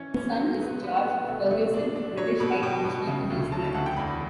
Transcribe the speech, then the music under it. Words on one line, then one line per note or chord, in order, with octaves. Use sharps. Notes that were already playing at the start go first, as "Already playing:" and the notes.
His son is George Fergusson, British High Commissioner to New Zealand.
Already playing: E3 C#4
C#4
F#3
B3
B3 B4
B3
A3
A3
D4
D4
F#3 C#5
B2 B5
B2 G5
B2
C#3
D2
F#3 A5
A5
D2 F#5
G5
E2 B5